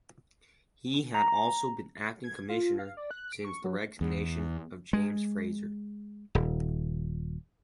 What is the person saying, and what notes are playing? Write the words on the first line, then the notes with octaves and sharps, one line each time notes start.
He had also been Acting Commissioner since the resignation of James Fraser.
A#5
G#6
F4
F5
D5
F#6
D7
C#6
F#3
E2
G#3
D#1